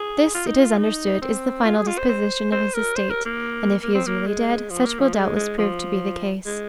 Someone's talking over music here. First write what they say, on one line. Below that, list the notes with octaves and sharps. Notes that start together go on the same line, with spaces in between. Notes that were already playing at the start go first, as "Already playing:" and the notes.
This, it is understood, is the final disposition of his estate; and if he is really dead, such will doubtless prove to be the case.
Already playing: G#4
F4
D#4
F4
D#4
C4
F4
G#4
F4
C5
C5
C5
A#4
C5
A#4
A#3
A#3
C4
A#3
G#3
G#3
F3
A#3
F3
G#3
G#3
F3
G#3